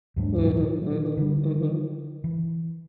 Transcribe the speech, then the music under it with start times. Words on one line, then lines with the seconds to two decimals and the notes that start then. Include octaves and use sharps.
Mhm, mhm, mhm.
0.16 D#2 G#2 F#3 D4
0.45 A#2 F#3
1.17 D3 G3
2.24 E3